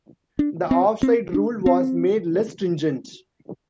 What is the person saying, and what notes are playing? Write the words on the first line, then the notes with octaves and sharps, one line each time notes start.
The offside rule was made less stringent.
D4
C4
C4
D4
C4